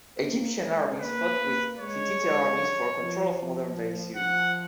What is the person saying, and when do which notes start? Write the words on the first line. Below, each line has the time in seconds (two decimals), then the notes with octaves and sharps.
Egyptian armies fought with Hittite armies for control of modern-day Syria.
0.20 A#3
0.60 G#3
1.00 A#3 B4
1.39 A#3
1.78 G#3 C#5
2.19 G#3
2.58 F#3
2.98 F3
3.37 F3
4.16 F3 F#5